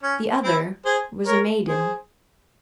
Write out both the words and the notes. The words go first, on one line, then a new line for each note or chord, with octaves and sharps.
The other was a maiden.
C#4
C4 E4
G#4 C5
A#4 C#5
G#4 C5